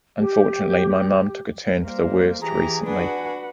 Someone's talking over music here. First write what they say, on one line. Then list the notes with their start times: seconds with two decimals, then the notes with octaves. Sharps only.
Unfortunately my mum took a turn for the worse recently.
0.17 G4
1.83 G3 A#3 A#4 C5
2.42 E3 G4 G#4 A#5
2.87 D4 F#4 B4 F#5 G#5